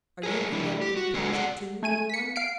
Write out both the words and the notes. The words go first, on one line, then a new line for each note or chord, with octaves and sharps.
"Are you condemned to be patched, too, little one?"
G#4 A#4 C#5
E3 D4 E4
G4
F#4
D3 G#3 B3 F#4 G#4 A4
G#4 D5 F#5
A3 G#5 D#7
B6 C#7
F5 C7 D7